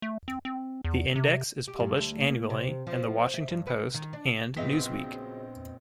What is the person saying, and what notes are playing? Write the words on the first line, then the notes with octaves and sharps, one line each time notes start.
The index is published annually in the "Washington Post" and "Newsweek".
A3
C4
C4
E2
C3
G4
G2
D2
A#3
C3
F3
E5
G2
B4
D#3
D4
A#1 C#3 F#3 B3 C4 D#5 F5 B6